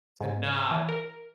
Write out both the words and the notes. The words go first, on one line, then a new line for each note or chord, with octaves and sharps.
to not
G#2
E3
A#4